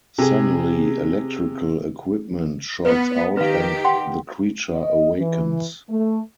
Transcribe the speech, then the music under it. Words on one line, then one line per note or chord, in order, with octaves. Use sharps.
Suddenly, electrical equipment shorts out and the creature awakens.
C3 G#4
B3 B4
D#3 G4 B4 F5
F#5 G5 C6
D#5
E3
A3